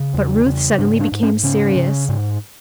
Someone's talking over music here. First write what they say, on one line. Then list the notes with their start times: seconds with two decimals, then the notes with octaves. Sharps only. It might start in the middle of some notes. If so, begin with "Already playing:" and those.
But Ruth suddenly became serious.
Already playing: C#3
0.14 E2
0.46 C#3
0.78 G#2 D4
1.00 D4
1.12 G#2
1.23 C#4
1.43 C#3 C#4
1.76 C#3
2.09 G#2